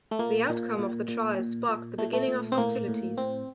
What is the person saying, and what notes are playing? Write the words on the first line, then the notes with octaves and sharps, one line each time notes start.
The outcome of the trial sparked the beginning of hostilities.
A3
A#2 A#3
A#2
A#2
A#2
A#2
A#2
A#2 A3
A3
A#2
C4
A2 A#3
A2
A2 C4